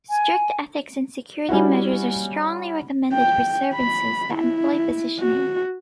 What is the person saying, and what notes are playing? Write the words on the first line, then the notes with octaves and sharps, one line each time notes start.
Strict ethics and security measures are strongly recommended for services that employ positioning.
G#5
G3 C#4 E4 F#4
G5
B5
E4
F#4